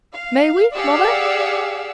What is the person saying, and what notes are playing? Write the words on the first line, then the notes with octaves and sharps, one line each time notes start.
"May we, Mother?"
F5
G4 G#4 D5 F5 F#5 E6